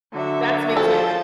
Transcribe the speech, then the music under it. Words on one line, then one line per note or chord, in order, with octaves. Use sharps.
That's me too.
D3 F#3 F#4 E5
F3 A4 A5 G6 A6